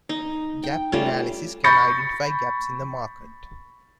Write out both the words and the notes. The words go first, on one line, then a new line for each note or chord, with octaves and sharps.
Gap analysis can identify gaps in the market.
D#4
G5
G3 A3 C#4 F4
B5 C#6 G6 A6 A#6 C#7